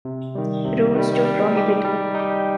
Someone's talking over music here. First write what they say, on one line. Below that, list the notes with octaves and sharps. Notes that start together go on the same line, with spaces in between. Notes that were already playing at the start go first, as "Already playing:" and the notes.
Rules To Prohibit.
C3
D#3 G3
C3
D#3 G3
G3
D#4 G4
G3
D#4 G4